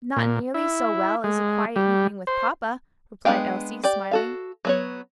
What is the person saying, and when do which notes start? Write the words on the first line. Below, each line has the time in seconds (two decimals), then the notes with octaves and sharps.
"Not nearly so well as a quiet evening with papa," replied Elsie, smiling.
0.16 A#2
0.54 E4
1.24 G#3
1.76 G3
2.27 C5
3.25 G#3 B3 D4 F5 G5
3.84 G4 D5
4.11 F#4 A4 F5
4.65 F#3 B3 C#5